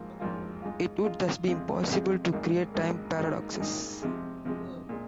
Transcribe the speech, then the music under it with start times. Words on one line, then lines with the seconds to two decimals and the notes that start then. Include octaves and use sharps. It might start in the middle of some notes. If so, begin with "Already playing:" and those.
It would thus be impossible to create time paradoxes.
Already playing: G#1 G#2 F3 A#3 F4
0.20 G#1 G#2 F3 A#3 F4
0.62 G#2 G#3 F4
1.04 G#2 G#3 F4
1.47 F2 C3 G#3 F4 G#4
1.89 F2 C3 G#3 F4 G#4
2.32 G#1 G#2 D#3 A#3
2.74 G#1 G#2 D#3 A#3
3.17 G#1 G#2 D#3 A#3 D#4
3.60 G#1 G#2 D#3 A#3 D#4
4.02 C3 F3 G#3
4.45 C3 F3 G#3
4.89 A#2 G#3